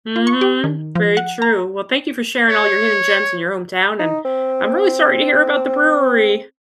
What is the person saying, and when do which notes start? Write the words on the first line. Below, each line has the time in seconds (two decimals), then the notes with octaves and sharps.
Mhm, very true, well thank you for sharing all your hidden gems in your hometown, and I'm really sorry to hear about the brewery.
0.16 F4
0.27 C#6
0.41 G4
0.64 D#3
0.95 F3
1.17 F#5
1.42 A#5
2.49 C#5
3.99 D#4
4.25 C4